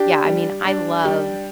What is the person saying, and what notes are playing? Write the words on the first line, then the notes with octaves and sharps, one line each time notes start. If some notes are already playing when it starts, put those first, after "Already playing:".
yeah, I mean, I love
Already playing: D4 G4
G3
D4
G3 G4